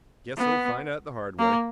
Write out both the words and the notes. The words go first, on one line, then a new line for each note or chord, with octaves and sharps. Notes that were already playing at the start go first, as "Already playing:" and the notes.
"Guess he'll find out the hard way."
B3
A#3